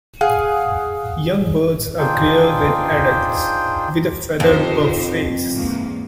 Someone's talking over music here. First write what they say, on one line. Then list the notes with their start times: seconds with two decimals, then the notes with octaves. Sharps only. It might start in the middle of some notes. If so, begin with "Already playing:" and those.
Young birds are greyer than adults, with a feathered buff face.
0.21 G#4 F5 F#5
1.98 D4 D#4 F4 G#4 C5 G5
4.40 F2 D#4 G4 C5
5.52 E2 G#2 A#3